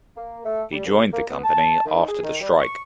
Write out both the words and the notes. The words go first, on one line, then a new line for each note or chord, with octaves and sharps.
He joined the company after the strike.
A#3
A3
G3
C2
A#3
B3
A5
D#3
G#4
D#3
G3
C#6